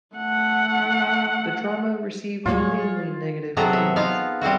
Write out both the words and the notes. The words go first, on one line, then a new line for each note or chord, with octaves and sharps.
The drama received mainly negative reviews.
A3 F#5
D2 A2 F#3 G3 A#3 F4 G#4 C#5
C3 F#3 B3 G#4 A4 A#5
E5
B3 D#4 F4 F5
G3 C4 E4 F#4